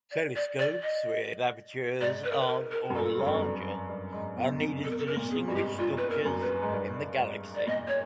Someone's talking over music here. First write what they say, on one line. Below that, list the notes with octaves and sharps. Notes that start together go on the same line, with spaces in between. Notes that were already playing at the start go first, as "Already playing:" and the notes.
Telescopes with apertures of or larger are needed to distinguish structures in the galaxy.
D5
D5
D5
D#5
G#2 D5
B4
A#4
B4
A#4
A#4
F#2
G2 A4
F#2
G2
F#2
G2
G2
G#2
B2
C3
B2 A4
A#4
A4
A#4
A#2
B2
C3 G#4
G2 F#4
G#2 G4
G2 F4
B4
A#4
F#2
B4
G#2
G2
G#2
D5
A#2 D#5
C#5